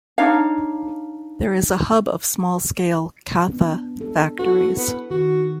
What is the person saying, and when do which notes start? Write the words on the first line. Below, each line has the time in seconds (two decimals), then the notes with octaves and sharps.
There is a hub of small scale Katha factories.
0.18 D4 D#4 C#5 F5
3.49 B3 D4
3.97 G#3 D4 A4
4.39 E4 F#4 A4 B4
4.78 B3
5.10 D#3 F#4